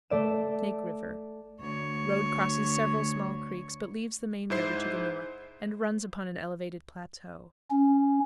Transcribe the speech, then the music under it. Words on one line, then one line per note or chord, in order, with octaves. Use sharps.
Snake River.--Road crosses several small creeks, but leaves the main river to the north, and runs upon an elevated plateau.
A3 D5 E7
D2 C#5
G#2 E4 C5 C7
C#4